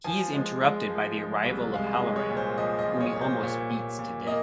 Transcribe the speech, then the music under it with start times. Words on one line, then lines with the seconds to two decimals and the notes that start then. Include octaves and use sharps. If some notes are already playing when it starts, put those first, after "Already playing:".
He is interrupted by the arrival of Hallorann, whom he almost beats to death.
0.04 F3 G#5
0.33 G#3
0.61 G#3
0.89 F3
1.17 G#3
1.46 C2
1.74 G#3 F5
1.94 D#5
2.02 G#3
2.16 C#5
2.30 A#2
2.37 C5
2.58 F3 D#5
2.79 D#5
2.86 A#2
3.01 C#5
3.15 A#2
3.21 C5
3.43 A#2 C#5
3.71 A#2
3.99 A#2
4.27 A#3 D#5